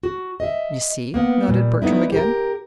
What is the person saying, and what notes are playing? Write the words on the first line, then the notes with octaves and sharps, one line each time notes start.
"You see," nodded Bertram again.
F#4
D#5 E5
A#3 B3 F#5
A#2 G3
G3 A3 B3 D#4 E4
G4 A#4